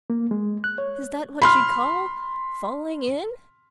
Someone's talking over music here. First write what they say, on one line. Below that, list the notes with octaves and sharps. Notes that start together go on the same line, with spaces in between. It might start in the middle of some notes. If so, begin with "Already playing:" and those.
"Is that what you call FALLING IN?"
A#3
G#3
F#6
C#5
B5 C6 F6